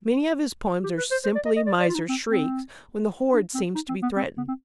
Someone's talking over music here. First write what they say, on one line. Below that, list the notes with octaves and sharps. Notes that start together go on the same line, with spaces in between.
Many of his poems are simply miser's shrieks when the hoard seems to be threatened.
G4
B4
C5
C5
D5
D#5
D#5
D5
D5
F4
D#4
C4
C4
D4
C4
D#4
C4
B3
C4
B3
C4